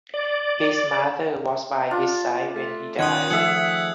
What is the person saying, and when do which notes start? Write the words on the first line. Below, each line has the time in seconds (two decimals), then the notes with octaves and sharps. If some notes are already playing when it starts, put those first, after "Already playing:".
His mother was by his side when he died.
0.14 D5
1.91 D4 F4
2.55 A3
2.99 D#3 C#4 C6 D#6 F#6 G#6 F#7
3.31 D#3 F3 A3 G#4 E5 F#5